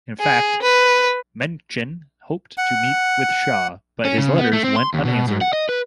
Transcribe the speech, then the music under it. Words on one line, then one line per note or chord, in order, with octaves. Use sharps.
In fact, Mencken hoped to meet with Shaw, but his letters went unanswered.
G#4
B4
F#5
C#4
C#3
B3
A3
C4
C6
D#2
B2
G#2
F#5
D#5
B4